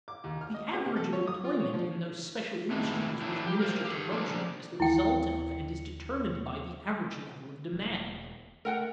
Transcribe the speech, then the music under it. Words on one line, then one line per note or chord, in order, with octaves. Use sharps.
The average of employment in those special industries which minister to luxury is the result of and is determined by the average level of demand.
D6
D#2
F6
D#5
B3
C3
A4
C#5
D#6
F4
C#5
F3
D#3 E3 G#3 A3
F#3 A3 A#3 C4 D4 E4
G4
A#4 C5 F5
G4 A4
F3 D4 G#4 D5
D#2 E3 E4 G5 C#7
E1
A3 A#4 F#5 G5